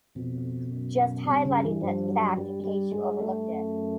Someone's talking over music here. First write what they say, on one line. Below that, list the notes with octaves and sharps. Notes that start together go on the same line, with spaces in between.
Just highlighting that fact in case you overlooked it.
F2 B2
F#2
G2 C3
C#3
E3
G2 F3
F#3
G2 G3
G3
G2 G#3
A3
F#2